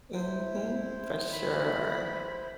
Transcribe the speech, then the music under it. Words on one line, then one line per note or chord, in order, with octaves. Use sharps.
Mhm. For sure.
E4 C5
B5